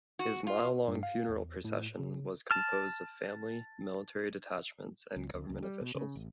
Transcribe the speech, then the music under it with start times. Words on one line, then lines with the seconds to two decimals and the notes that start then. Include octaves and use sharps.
His mile-long funeral procession was composed of family, military detachments and government officials.
0.19 F#4
0.47 F4
0.88 G2
1.03 F5
1.29 E2
1.65 A2
1.99 C#3
2.51 A5 F6
5.16 C#2
5.34 D2
5.50 C#2
5.62 G3
5.81 B2
5.95 C#3
6.16 A1